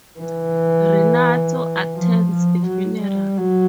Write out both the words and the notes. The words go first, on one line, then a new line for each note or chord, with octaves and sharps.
Renato attends the funeral.
E3
F3
F3
F#3
G3
F#3